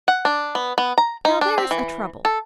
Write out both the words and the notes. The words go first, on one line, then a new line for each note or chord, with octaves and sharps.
Now, there's a trouble.
F#5
D4
B3
B3
A#5
D#4
D4
C4
E3
A4